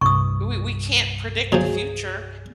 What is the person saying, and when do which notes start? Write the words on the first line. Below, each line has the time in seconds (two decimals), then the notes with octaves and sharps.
We we can't predict the future,
0.01 C2 G2 C#6 D#6
1.52 F3 F#3 G#4